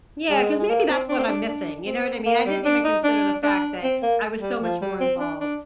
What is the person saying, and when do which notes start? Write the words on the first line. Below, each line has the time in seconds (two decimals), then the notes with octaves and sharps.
Yeah, 'cause maybe that's what I'm missing, you know what I mean? I didn't even consider the fact that I was so much more involved,
0.30 G#3
0.59 G#3
0.69 A#3
0.89 C4
1.09 D4
1.19 C4
1.28 D4
1.48 D4
1.86 C4
2.26 A#3
2.46 G3
2.65 D4
2.85 D#4
3.04 D4
3.43 D4
3.83 C4
4.02 A#3
4.41 G3
4.62 F3
4.81 G3
5.00 C4
5.20 D4
5.41 D4